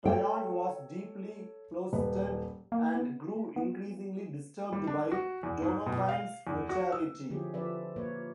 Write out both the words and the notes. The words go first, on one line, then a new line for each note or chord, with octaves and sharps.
Tryon was deeply closeted and grew increasingly disturbed by Donovan's notoriety.
A4 C#5 G5
D#1 B4
A#3
B3
B3
G3
D4
F#4
E2
G#2
B2
F5
E2
F#4
E6
D3 F3 C#4 E4 G4 G#4
F3 D4 B4 D5 E5
A#2 A#3 B4 C#5